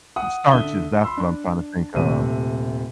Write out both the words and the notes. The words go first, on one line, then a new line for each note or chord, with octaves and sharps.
starches, that's what I'm trying to think of.
F#5 D#6
D3 E5 D#6 G7
B5 C6 E6
D4
D#1 C3 A3 D#7